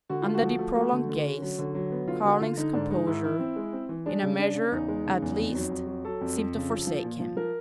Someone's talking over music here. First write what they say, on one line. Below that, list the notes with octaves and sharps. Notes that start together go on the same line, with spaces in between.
Under the prolonged gaze, Carling's composure, in a measure at least, seemed to forsake him.
D3 F#4
A3 F4
F#4
F3
A3
A3 F#4
D3
D3
C#4
F#3
D3
F#3
B3
D3 F4
D3 F#4
D3 F4
D3 D#4
G#2 D4
G#3 D#4
G#2 E4
E3 E4
C4
G#3
C4
E3
G#3 D4
C#3
C#3 D4
C#3
E2 D#4
G#3
C#3
E2
F2
F#3
F2
F#3
F#3 A4
F2
F2
C#3
F3
F3
A#2
F3
F3 A#4